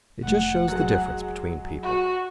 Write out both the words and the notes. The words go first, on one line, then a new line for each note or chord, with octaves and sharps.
It just shows the difference between people.
F1 A2 A3 F#5
F#3 G#3
F#4